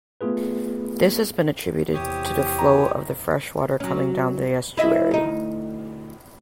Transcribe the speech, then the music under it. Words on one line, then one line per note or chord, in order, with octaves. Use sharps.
This has been attributed to the flow of the freshwater coming down the estuary.
A3 B3 F4 G#4 B4
E2 C3 G4 C#5 D#6
A#5
F#3 C#4
E4 D#5 E5
D2 D#4